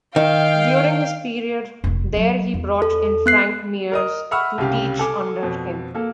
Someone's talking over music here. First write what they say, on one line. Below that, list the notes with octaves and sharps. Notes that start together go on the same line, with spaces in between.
During his period there he brought in Frank Mears to teach under him.
D#3 F5 G5
F1 C#4
F#3 D#4
E2
A4
B3 F#6 C7
A#4 D#5 D#6
E5 F#5 B5 C#6 E6 F6
C2 C#3 G3 G4 F5
A4 G#5 D6
F2 B2
A#3 A4